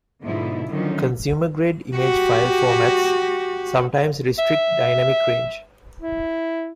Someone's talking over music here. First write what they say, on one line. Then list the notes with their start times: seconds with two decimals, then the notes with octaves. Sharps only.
Consumer-grade image file formats sometimes restrict dynamic range.
0.23 G#2 B2 D3 F3 D#4 E4
0.70 D3 D#3 F3 F#3 C#4 D#4
1.96 F#4 G4
4.39 E5
6.02 E4